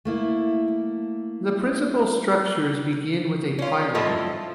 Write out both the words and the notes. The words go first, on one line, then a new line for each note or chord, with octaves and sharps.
The principal structures begin with a pylon.
A3 A#3 E4
C#4 F4
F3 A3 E4 F4 A4 D#5